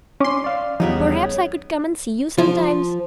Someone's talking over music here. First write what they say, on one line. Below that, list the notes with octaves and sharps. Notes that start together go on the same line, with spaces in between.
Perhaps I could come and see you sometimes.'
C#4 C6 D6
D5 F5
E2 C#3 F3 G3 B3 D#4 E5
F3